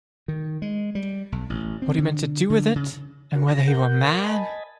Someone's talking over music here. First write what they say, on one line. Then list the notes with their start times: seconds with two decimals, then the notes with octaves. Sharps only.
What he meant to do with it, and whether he were mad?
0.28 D#3
0.62 G#3
0.95 G3
1.32 B1
1.50 A1
1.82 C4
1.98 D3
2.50 D3
2.76 C#3
3.35 D4 F#4 A#4
3.48 A#6
3.68 A#4 F#5 G6
4.24 D#5 G#5 A5 B5